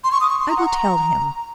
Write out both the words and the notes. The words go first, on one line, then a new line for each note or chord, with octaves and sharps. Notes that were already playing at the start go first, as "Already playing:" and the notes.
"I will tell him."
C6
C#6
D#6
C#6
C6
A#5
F#5
A#5